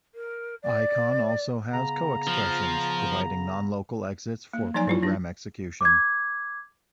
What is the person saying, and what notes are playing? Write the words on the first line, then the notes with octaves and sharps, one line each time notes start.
Icon also has co-expressions, providing non-local exits for program execution.
A#4
D5
C#3 B3 A#5
F3
A#3
F3 F#3 D#4 D5 G#5 A#5
F#3 E4 F4
F#3 D4
D6 G#6